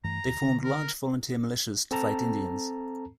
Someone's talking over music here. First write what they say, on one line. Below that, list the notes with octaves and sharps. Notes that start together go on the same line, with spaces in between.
They formed large volunteer militias to fight Indians.
G2 E3 A3 A#5
D2
D3
A#4
C4 A4 A5 A#5